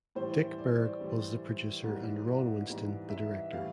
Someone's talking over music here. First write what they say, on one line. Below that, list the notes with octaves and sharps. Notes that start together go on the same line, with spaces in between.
Dick Berg was the producer and Ron Winston the director.
A2 E3 G3 C5
D5
A2 E3 G3
G#2 E3 G3
G#2 E3 G3
E5
A2 E3 G3 F5